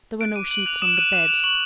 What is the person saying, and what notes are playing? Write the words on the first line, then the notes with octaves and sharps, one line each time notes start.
There were no sheets on the bed.
F#6 D7
D6 D#7
F#6 F#7
F#6 F7
D#6 E7
F#6 D#7
F#6 E7
F#6 F7
C#6 F#7